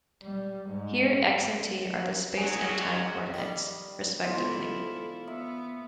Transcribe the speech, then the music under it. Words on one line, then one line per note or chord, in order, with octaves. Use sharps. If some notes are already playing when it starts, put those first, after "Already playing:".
Here x and t are the space and time coordinates, respectively.
G3
G#2
A#2 D#3 F#3 G#4
D#3 G3
E2 G#2 E4 F4 A4
B3 E5